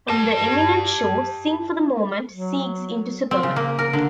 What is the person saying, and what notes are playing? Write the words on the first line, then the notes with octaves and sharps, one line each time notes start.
On "The Eminem Show", "Sing for the Moment" segues into "Superman".
G4 A5
F#3
C4
C#3
A#3
A#4
D3